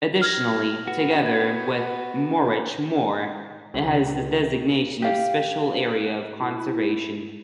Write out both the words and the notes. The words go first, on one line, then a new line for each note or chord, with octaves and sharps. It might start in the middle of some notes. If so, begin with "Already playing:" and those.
Additionally, together with Morrich More, it has the designation of Special Area of Conservation.
F6 G#6 A#6
B3 F#4
G#6
C#2
G4 F5
E4